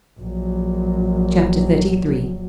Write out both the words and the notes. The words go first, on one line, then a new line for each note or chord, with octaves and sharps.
Chapter XXXIII.
A#1 F#3